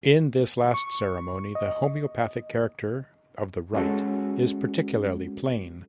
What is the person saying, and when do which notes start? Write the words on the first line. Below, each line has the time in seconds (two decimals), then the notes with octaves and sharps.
In this last ceremony the homeopathic character of the rite is particularly plain.
0.74 C#6
1.55 D#5
3.73 G#3 C#4 F#4 A4